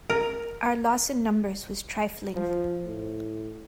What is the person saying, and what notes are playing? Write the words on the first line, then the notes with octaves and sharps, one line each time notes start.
Our loss in numbers was trifling.
A#4
F3
A2